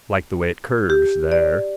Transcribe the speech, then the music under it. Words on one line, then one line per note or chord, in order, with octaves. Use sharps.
Like the way it curves there.
G4
D5